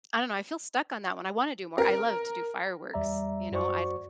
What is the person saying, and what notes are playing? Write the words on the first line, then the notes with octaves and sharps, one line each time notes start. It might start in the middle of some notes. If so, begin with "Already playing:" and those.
I don't know, I feel stuck on that one, I wanna do more, I love to do fireworks, you know, I’d
A#4
E2 G3 D5 E5 A#5
F#2 F#4 C5 D5 C#6